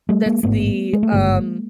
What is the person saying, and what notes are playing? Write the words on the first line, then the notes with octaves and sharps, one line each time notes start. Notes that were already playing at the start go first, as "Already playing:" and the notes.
that's the, um,
G3 A3
G#3 A#3
A1 G#2 A3 B3
G#3
A3
G#1 G2 D3 G#3 A#3